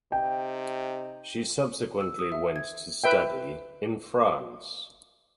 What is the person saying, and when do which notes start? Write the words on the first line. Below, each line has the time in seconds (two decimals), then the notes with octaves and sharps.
She subsequently went to study in France.
0.12 C3 D#4 G5
2.01 E6
2.19 D#6
2.32 E5
2.56 G#6
3.04 B4 E5 G5